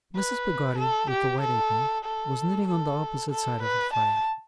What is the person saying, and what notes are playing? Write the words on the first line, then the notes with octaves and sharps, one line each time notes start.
Mrs. Peggotty with the white apron, was knitting on the opposite side of the fire.
B4
A4
G4
A4
A4
A4
A4
B4
A5